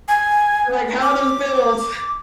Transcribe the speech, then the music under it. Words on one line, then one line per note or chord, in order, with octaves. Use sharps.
Like, how are those bills?
G#5
D6